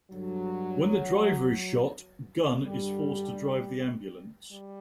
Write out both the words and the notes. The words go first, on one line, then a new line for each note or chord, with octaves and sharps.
When the driver is shot, Gunn is forced to drive the ambulance.
G2 D3 F#3
G2 D3 G3
G3